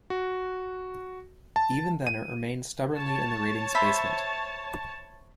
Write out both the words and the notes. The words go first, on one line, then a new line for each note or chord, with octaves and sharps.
Even then, it remained stubbornly in the ratings basement.
F#4
A5
D#7
C#5 A5
C5 E5 B5